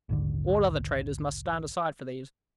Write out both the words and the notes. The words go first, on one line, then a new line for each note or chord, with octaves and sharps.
All other traders must stand aside for these.
A#1 D#2 G#2 D3